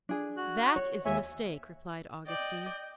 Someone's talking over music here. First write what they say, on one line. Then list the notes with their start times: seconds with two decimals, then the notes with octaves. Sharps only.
"That is a mistake," replied Augustine.
0.09 D4 G#4
0.37 F#4 F#6
0.76 C#5
1.05 D#2 C#5 E5 G#5
2.27 D5 D#5 G5